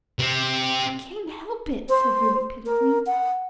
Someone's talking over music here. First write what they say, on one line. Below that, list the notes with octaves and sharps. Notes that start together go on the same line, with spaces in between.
"I can't help it," said Ruby pitifully.
C3 C4
C5
A#4
F#5